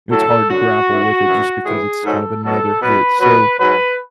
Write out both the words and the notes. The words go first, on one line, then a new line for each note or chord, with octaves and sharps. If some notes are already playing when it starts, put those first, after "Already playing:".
it's hard to grapple with it just because it's kind of another hit, so
A2 F#3 A4
F#2 D3 F#3 F#4
F#2 E3
F#2 E3
A2 E3 G#4
G#2 F#3 A4
B2 F#3 A4
B2 F#3 B4
B2 F#3 B4
G#2 F#3 B4